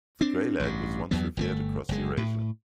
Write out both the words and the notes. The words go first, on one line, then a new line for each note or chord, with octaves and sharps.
The greylag was once revered across Eurasia.
C4 D4
A1 G2
E2 G2 F#3 B3
G1 C#3 A3
F#1 G#3
A2